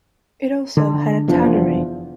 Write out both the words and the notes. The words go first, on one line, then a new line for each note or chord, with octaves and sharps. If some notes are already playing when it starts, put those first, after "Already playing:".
It also had a tannery.
D3
F1 E2 F3 D4